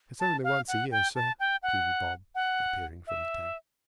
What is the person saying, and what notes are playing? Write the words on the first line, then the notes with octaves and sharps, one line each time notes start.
"It's only once a year, sir," pleaded Bob, appearing from the Tank.
A5
F5
F#5
G5
A5
G5
F#5
F#5
E5